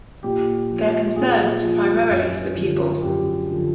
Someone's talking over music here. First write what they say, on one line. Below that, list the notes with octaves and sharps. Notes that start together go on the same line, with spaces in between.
Their concern was primarily for the pupils.
A#2 G4
F3
A#2 G#4
F3
F#2
D3 F3
F#2 G4
D3 F3